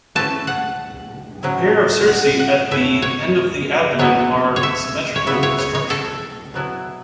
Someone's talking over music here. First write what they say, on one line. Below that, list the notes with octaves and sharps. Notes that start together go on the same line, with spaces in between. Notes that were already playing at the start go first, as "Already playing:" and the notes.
The pair of cerci at the end of the abdomen are symmetrical in structure.
E3 A3 C#4 A5
F#5
A2 F#3 C#4 E4
F#5
F#5
E3 A3 C#4 E4 E5
C#5
B2 F#3 B3 E4 C#5
C#5
E5
C#5
C#3 E3 B3 E5
C#5
C#5
C#5
A4
B2 F#3 B3 E4